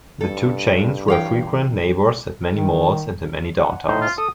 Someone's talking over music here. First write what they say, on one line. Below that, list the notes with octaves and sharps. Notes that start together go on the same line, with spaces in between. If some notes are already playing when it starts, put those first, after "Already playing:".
The two chains were frequent neighbors at many malls and in many downtowns.
G2 A4
E3 C#5 F5 G5
D#3
F#5
A2 D#4 C5
F4
A4 D#6